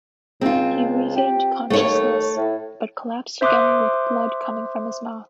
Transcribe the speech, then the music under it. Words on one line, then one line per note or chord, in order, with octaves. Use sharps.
He regained consciousness, but collapsed again with blood coming from his mouth.
C#2 C4 F4
G4
D#2 A3 C#5
A2
C5 E5 C6 D6 D#6 F#6